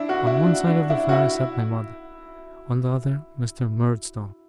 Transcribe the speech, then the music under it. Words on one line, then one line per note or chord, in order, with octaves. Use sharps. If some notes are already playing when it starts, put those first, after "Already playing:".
On one side of the fire, sat my mother; on the other, Mr. Murdstone.
Already playing: D4 E4
F#4
E4
D4
D4
E4
F#4
E4